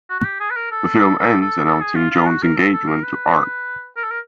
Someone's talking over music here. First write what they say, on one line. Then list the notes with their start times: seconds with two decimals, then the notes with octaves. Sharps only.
The film ends announcing Joan's engagement to Art.
0.09 F#4
0.20 F#4
0.24 G4
0.40 G#4
0.50 B4
0.56 A#4
0.71 A4
1.18 A4
1.41 A4
1.65 A4
1.80 G#4
1.96 F4
2.11 F4
2.27 F#4
2.42 A#4
2.57 A4
2.72 A4
2.88 A#4
3.04 B4
3.96 A#4
4.04 A4
4.11 A#4